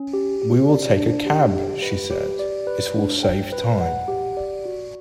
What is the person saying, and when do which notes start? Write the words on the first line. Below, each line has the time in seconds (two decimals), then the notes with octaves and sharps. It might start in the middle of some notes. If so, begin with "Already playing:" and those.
"We will take a cab," she said: "it will save time."
Already playing: C#4
0.13 G4
0.42 G4
0.69 D5
0.98 D4
1.26 G4
1.55 G4
1.82 B4
2.11 G4
2.39 D5
2.67 B4
2.96 D4
3.23 G5
3.52 B4
3.81 F#5
4.08 G4
4.37 D5
4.65 F#4